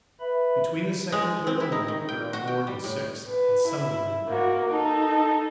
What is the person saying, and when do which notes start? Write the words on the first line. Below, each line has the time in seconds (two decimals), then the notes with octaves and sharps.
Between the second and third alone there are more than six, and some of them bad.
0.20 B4 E5 B5
1.12 G#3
1.47 C4
1.60 E4
1.72 D#4
1.88 D#3
2.09 G5
2.33 F#4
2.47 G5
2.67 G3
2.84 A2
3.28 B4
3.68 E4
4.28 A#3 F#4
4.70 D#4 A4